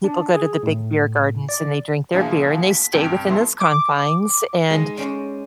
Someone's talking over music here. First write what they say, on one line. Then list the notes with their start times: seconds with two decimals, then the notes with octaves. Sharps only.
People go to the big beer gardens, and they drink their beer, and they stay within those confines. And
0.04 D4
0.34 G#4
0.63 A2
1.49 D5
2.13 B2 D3 F3 A#3 E4 G#4
2.71 B6
2.92 G2 C3 G5 G#6 D7
3.26 C2 B2 E3 A4 E5 C6
3.60 D6
4.70 G#3 D#4
4.97 C#4 C5 D5